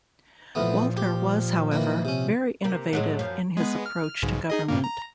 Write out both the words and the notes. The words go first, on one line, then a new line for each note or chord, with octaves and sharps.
Walter was, however, very innovative in his approach to government.
A#2 E3 F3 A3 B3
G4
D#3 E3 A#3
C3 C#4
C3 A#3
A2 F#3 G#3
F#2 F3
G#3 B3
F6
B1 G#2 C#3
D#4 G#4 D#5
G2 A#2 A#3
A#5